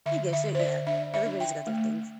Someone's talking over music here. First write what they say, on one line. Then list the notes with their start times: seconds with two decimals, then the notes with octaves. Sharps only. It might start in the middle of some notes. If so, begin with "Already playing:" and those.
I get you, yeah. Everybody's got their things.
0.06 D3 E5
0.33 E5
0.46 D3
0.55 C5
0.59 D5
0.87 D4 E5
1.14 E5
1.26 D4
1.40 G5
1.67 A3